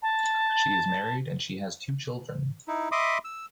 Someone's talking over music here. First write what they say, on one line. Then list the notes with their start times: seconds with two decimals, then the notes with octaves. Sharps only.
She is married and she has two children.
0.02 A5
2.68 D#4 E4
2.92 D#5 E5 B5 C6 D6 D#6
3.25 E6